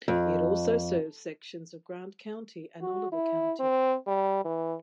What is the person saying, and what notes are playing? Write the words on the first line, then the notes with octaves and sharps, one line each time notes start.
It also serves sections of Grant County and Oliver County.
F2
F#4
E4
C4
G3
E3